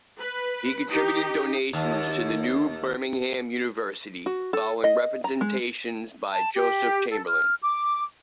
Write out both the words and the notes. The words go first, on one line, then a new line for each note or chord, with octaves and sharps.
He contributed donations to the new Birmingham University following representations by Joseph Chamberlain.
B4
D#4 G4
D#2
F#4
A4
D#5
A#5
G#3
A5
G4
A4
F6
D6